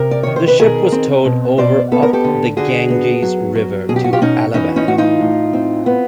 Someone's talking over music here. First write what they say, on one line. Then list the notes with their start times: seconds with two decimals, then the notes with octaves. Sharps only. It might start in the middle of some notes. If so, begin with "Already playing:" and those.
The ship was towed over up the Ganges River to Allahabad.
Already playing: C3 A#4
0.11 D5
0.23 D#3 C#5
0.36 C5
0.48 B4
0.60 B2 G#4 A#4
0.92 C4
1.25 B2
1.58 B2 C5 D5
1.92 B3 A4
2.03 A#4
2.13 G4 A4
2.24 D3
2.57 D3 F#4 G#4
2.90 B3
3.22 F#3
3.55 F#3
3.89 B2 G#4
3.96 G4
4.04 F#4
4.13 F4 G4
4.21 B2 C#4 D#4
4.54 E3 C#4 D#4
4.76 C#4 D#4
4.87 A2 F#4
4.98 D#4 F4
5.21 A2
5.53 C4
5.86 B3